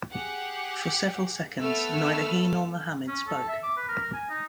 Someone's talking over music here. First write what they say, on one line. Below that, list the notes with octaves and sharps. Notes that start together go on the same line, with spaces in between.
For several seconds neither he nor Muhammad spoke.
G4 G#4 F#5
A3 B3 A4 E6 F6
C#4
A4
E5
D6
B4
A#4
A#4
G#5
D#4